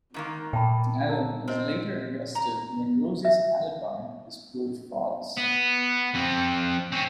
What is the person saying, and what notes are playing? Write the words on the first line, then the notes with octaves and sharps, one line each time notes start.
Adam is later arrested when Rosie's alibi is proved false.
G#2 D#3 A#3
A#2 G5 A5 B5
D#4 A#4 A#5
C4 C5 D#5
A#5
E5
B3
F2 C4
C4 C#4